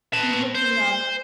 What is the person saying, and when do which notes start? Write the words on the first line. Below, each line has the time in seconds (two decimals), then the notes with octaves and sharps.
you're looking up
0.13 B4 A5
0.55 C5